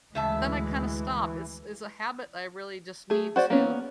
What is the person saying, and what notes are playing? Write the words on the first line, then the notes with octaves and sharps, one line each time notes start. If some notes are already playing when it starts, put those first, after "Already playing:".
but then I kinda stopped. It's it's a habit I really just need to
D2 C#3 E3 G#3 E5 A5
A3 G#4
F#4 C5 D5
A#3 B3 C#4